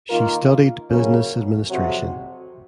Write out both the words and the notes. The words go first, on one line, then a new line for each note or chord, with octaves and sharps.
She studied Business Administration.
D#3 A#3 F4 A#4
C#3 F#3 A#3 C#4
F2 C3 F#3